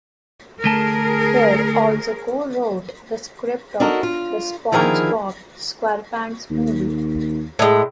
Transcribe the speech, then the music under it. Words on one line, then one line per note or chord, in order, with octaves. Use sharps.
Hill also co-wrote the script of "The SpongeBob SquarePants Movie".
D2 A3 G#4 A#4 A5
D4 D#4 F#4 A4 A#4
F4
D3 D#3 F3 E4 G#4 A#4
D#2
A2 G#3